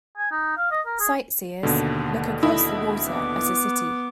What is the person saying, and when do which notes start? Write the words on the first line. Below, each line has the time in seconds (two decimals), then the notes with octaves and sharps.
Sightseers look across the water at a city.
0.17 G#5
0.31 D#4
0.57 F5
0.71 D#5
0.86 A#4
1.00 G#4
1.63 D#2 B2 D3
2.43 E4 D#5 B5
3.05 B3 D6